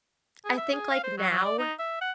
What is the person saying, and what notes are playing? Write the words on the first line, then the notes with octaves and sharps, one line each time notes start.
I think, like, now,
G#4
E5
G#4
F5
C5
F#3
F#3
D5
D#4
E5
F#5